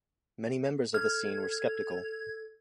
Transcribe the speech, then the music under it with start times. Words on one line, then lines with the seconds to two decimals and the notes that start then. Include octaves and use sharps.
Many members of the scene were skeptical.
0.94 A4 F6 G#6